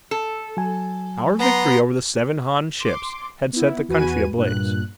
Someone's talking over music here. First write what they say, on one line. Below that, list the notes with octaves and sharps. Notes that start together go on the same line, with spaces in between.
Our victory over the seven Han ships had set the country ablaze.
A4
F#3 G#5
B3 A#5 C6
C6 D6
B3 E4
E2 F#4 B4 G#5 D#7
G2 A#2 F#6